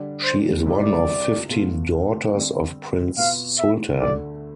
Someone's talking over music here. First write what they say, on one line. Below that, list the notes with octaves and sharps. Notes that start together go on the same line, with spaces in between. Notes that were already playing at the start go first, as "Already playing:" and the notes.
She is one of fifteen daughters of Prince Sultan.
Already playing: D3 G3 D4
C5
C2 C3 G3 C4 E4 D5
B2 B3 F4 A4
D3 G3 C4
B2 B3 F4 F5
E5
D2 D3 A3 D5